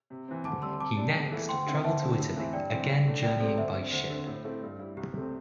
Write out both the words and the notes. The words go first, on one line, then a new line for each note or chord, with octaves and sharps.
He next travelled to Italy, again journeying by ship.
C3
E3 C4
D2 A5 D6
C3 G3 C6 E6
C3 A5 D6
G3 D4
E2
E3 A3 E4
D2 G5 C6
D3 C4 E4
D2 E5 A5
D3 C4 E4
A2
E3 C4 E4
G2 D5 G5
E3 C4
G2
D3 A3 D4
C2 D5 G5
C3 G3 C4 A4 D5
D2 C5 E5
D3 C4
D2 C5
D3 C4
A2
A3 C4 E4
G2
G3 E4
C2 G4
C3 A3 C4